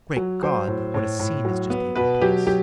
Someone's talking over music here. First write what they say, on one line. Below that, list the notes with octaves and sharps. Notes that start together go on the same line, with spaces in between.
Great God! what a scene has just taken place!
F#3
F#3 C5
A2
A2
A2
F#3
B3
B2 B4
F#3 G4
F#3 G4